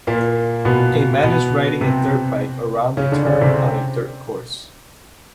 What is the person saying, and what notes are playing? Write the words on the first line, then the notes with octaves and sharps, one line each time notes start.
A man is riding a dirt bike around a turn on a dirt course.
A#2 A#3
B2 B3
B2 B3
C3 C4
C#3 C#4
D3 D4
D4
C#3 C#4
C3 C4